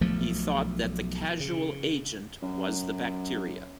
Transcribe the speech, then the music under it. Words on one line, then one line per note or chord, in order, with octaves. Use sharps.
He thought that the causal agent was the bacteria.
B1 F3 A3
C#3
F#2